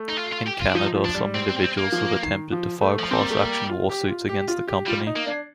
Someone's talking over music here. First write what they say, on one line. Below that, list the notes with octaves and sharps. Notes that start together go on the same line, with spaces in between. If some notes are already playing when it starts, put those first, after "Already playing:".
In Canada, some individuals have attempted to file class action lawsuits against the company.
Already playing: A3
D#4
F4
F4
G4
F4
D4
F3 D#4
F3
D4
G3
C4
C4
C4
A#3
F3
D#3
F3
A3
F3
G3 C4
A#3
A3
A#3
F4
G4
F4
G4
F4
G4
G3 F4
D#4
A#3
D4